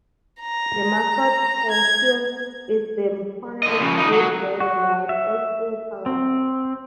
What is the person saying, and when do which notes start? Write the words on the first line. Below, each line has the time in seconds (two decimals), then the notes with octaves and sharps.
The mascot for Hume is the Hornets, with red and white as school colors.
0.41 A#5
1.71 G#6
3.63 D3 D#5
3.80 C#3 F3
3.97 D#4 D5
4.12 F#3
4.60 F#4
5.09 E5
6.06 C4